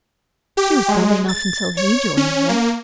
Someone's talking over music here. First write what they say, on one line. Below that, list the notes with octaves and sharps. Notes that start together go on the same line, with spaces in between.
She was dull enough until he joined her.
G4
G#3
A6
C#5
C#4
A#3